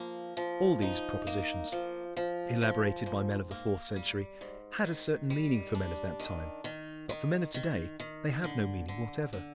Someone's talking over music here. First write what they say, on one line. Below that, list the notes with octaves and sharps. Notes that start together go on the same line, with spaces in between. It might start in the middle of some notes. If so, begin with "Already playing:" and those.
All these propositions, elaborated by men of the fourth century, had a certain meaning for men of that time, but for men of to-day they have no meaning whatever.
Already playing: F3 A#3
F3
D#4
A#3
F3
F3
F3
G#2
A#3
G3
G#2
D#3
G3
D4
D#3
D#3
D#3
D#3
D#3
D3
D3
D3